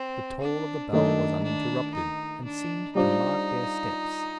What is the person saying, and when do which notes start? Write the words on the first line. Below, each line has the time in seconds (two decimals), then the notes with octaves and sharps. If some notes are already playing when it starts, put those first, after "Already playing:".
The toll of the bell was uninterrupted, and seemed to mark their steps.
Already playing: C4
0.41 D4
0.92 D#3 A3 D4 D#4 A#4 D#5
1.43 D4
1.95 D#4
2.44 D4
2.95 G3 D4 D#4 F4 C5